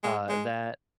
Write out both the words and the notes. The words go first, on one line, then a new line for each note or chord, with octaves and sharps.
Uh, that
G#3
G#3